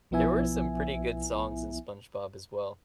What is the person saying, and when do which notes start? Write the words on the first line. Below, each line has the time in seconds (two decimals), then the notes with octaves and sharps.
There were some pretty good songs in SpongeBob as well.
0.11 B1 F3 B3 E4 E5 G#5